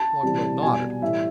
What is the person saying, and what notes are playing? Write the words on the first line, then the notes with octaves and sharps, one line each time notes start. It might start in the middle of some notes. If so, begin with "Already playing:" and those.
Longbill nodded.
Already playing: A5
C3 E3 G3
B2 G3 G#5
A2 E3 G3 E5